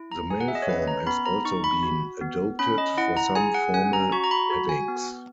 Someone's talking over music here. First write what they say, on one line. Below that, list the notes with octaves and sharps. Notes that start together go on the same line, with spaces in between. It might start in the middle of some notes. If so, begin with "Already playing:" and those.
The male form has also been adopted for some formal weddings.
Already playing: E4
A#5
G#4 G#5
F#5
E5
D#5
C#5
C#4 B4
A#5
B3 B5
A#5
D#4 C#6
B5
F#4
B3
C#4 B5
D#5
E4 F#5
A#5
G#4 G#5
F#5
C#4 G#5
A#5
F#4 C#6
A#5
B5
F#4
G#5
B3